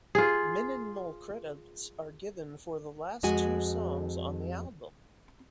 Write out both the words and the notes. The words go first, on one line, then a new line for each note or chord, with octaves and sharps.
Mininmal credits are given for the last two songs on the album.
F4 G#4
F2 G#3 F#4 G#5